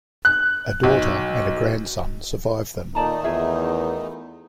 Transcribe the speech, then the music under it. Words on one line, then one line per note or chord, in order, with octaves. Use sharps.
A daughter and a grandson survive them.
F#6
B1
A#2 D#3 A3 D#4 D5 A5 A#5
E2 F4 G#4 E5